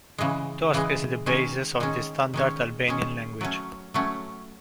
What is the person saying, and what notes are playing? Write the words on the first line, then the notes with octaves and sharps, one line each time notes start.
Tosk is the basis of the standard Albanian language.
C#3 E3 G#3
C#3 E3 G#3
D#3 G#3 C#4
D#3 G#3 C#4
D#3 G#3 C#4
D#3 G#3 C#4
F#3 A3 C#4
F#3 A3 C#4